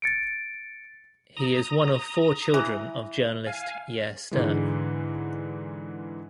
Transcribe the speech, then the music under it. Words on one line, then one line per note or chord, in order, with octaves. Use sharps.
He is one of four children of journalist Yair Stern.
A6 C#7 D7
A#5 D#6
E3
F5 G#5
G#2 D3 E3 G#3